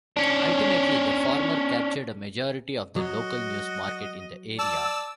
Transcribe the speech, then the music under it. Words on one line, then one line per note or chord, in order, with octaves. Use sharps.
Ultimately, the former captured a majority of the local news market in the area.
C#4 D4
F#3 F#4 D#5
D5 A5 E6